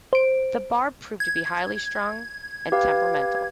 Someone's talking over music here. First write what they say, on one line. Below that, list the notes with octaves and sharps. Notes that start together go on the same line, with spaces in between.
The Barb proved to be highly strung and temperamental.
C5 D7
G#6
G4 B4 F5